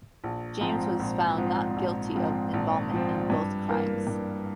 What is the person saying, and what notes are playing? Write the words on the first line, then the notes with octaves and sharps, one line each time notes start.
James was found not guilty of involvement in both crimes.
A#1
G#2 F3 C4
A#1
G#2 F3 C4
A#1
G#2 F3 C4
A#1
G#2 F3 C4
G2
E3 A#3
G2